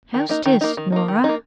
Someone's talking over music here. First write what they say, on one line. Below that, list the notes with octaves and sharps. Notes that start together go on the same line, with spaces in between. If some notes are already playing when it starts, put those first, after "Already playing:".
"How's this, Norah?"
D#3
A#3 D#4
D#3
A#3 D#4
D#3
A#3 D#4
D#3
A#3 D#4